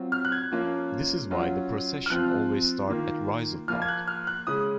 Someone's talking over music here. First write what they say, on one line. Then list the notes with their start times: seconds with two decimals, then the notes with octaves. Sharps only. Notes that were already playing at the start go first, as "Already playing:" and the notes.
This is why the procession always start at Rizal Park.
Already playing: F#3 C4 F4
0.12 F6
0.25 F#6
0.32 G#6
0.51 F3 A#3 C#4 F4
1.31 F#3 C#4 F4
2.06 F6
2.10 F3 C4 F4 F#6
2.89 D#3 A#3 F4
3.68 F3 A#3 F4 F6
3.82 G#6
3.88 F#6
4.08 F6
4.27 F#6
4.47 C#3 G#3 C#4 D#6